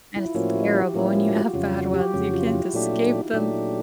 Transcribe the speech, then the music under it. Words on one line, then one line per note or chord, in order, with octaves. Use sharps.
And it's terrible when you have bad ones, you can't escape them.
E4
F4
A2 F3 A#3 C#4 E4 F#4
G4
G4
A2 F3 A#3 C#4 E4 G4
G4
F4
F#4
F2 C#3 F#3 F4
F#4
G4
F2 C#3 F#3 F#4
F4
E4
A#2 F#3 A3 D4 E4 G4
F4
D#4
E4
A#2 F#3 A3 D4 D#4 G4
E4